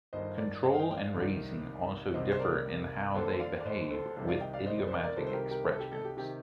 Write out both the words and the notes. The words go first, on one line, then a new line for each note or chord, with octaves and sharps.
Control and raising also differ in how they behave with idiomatic expressions.
G1 G2 D#3 C5 D#5
A#4 D5
C5 D#5
F5
D#5 G5
G5
D5 F5
C2 C3 D#3
C2 C3 D#3 C5 D#5
C5
A#4 D5
D#2 D3 A4 C5
D5 F5
D5
C5 D#5
A4 C5
C2 C3 D#3 A4 C5
D5 F5
D#5 G5
D5 F5
C5 D#5
A#4 D5
C5
A#4 D5
D#5
A#4 D5
C2 C3 D#3 A4 C5
C5
G4 A#4
G4 A#4
A4
G4
A4
G4
C3 D#3 G4